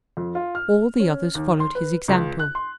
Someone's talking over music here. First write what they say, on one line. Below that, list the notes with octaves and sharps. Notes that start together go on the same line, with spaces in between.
All the others followed his example.
F2
F4
F6
C#4
D#2
C6
B4
C#2
F#6
C6